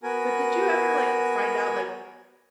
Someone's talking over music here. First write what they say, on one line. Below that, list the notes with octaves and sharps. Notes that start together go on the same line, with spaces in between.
But did you ever, like, find out, like,
B3 F#4 A#4 G#5